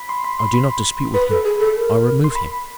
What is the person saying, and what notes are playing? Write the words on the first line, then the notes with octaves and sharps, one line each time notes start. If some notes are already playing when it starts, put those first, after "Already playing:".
"I do not dispute with him; I remove him."
Already playing: B5
C6
B5
C6
B5
B4 B5
A4
G#4
A4
A#4
C6
B5